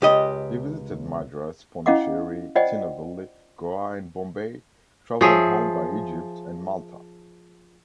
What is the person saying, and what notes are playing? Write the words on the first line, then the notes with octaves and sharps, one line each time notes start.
He visited Madras, Pondicherry, Tinnevelly, Goa and Bombay, travelling home by Egypt and Malta.
C#2 G4 D#5
C#4 E4 D#5 F5 F#5 D6
F4 C5 D5 D#5 F#5 G5
F3 G#4 C#5 E5